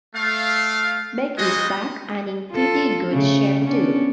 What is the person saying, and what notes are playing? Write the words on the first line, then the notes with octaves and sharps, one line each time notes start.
Beck is back, and in pretty good shape too.
A3 F5
G3 G#3 F#4 D#5
F4 A4
C#3 A3
B3 C#4 D4